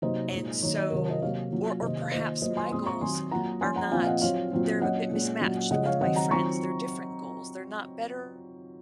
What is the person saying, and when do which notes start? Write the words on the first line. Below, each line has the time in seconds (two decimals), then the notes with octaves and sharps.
And so Or or perhaps my goals are not they're a bit mismatched with my friends. They're different goals, they're not better
0.02 C3 F#3 A#3 D#4 C5 D#5
0.32 A#2 G#3 D#4
0.62 D#3 F#3 A#3 D#4 C#5
0.76 D#5
0.89 C3 D#3 F#3 A#4 C#5
1.10 D#5
1.22 C3 F#3 A#3 C#5 F5
1.52 F#3 A#3 C#4 F4
1.82 C3 D#3 A#3 C5 D#5
2.02 F5
2.12 D#3 A#3 F4 C5 D#5
2.42 F#3 A#3 F4 C5 D#5
2.57 G#5 C6
2.71 A#2 G#3 C4 F4 C6 D#6
2.86 A#5 C#6
3.01 D#3 F#3 C4 G#5 C6
3.31 F#3 A#3 F4 F#5 A#5
3.61 F3 A#3 C#4 G#5 C6
3.76 F#5 A#5
3.91 A#2 F3 C4 F4 F5 G#5
4.03 F5
4.07 D#5 F#5
4.21 F#3 C4 F4 C#5 F5
4.52 A#2 F#3 C4 F4
4.81 A#2 F#3 C#4 F4 D#5 F#5
5.12 A#2 G#3 C#4
5.41 A#2 F#3 C#4
5.71 C#3 F3 G#3 D#5 F#5
5.86 C#5 F5
6.01 D#3 F#3 C4 D#5 F#5
6.16 F#5 A#5
6.31 D#3 F#3 C4 F4 A#5 C#6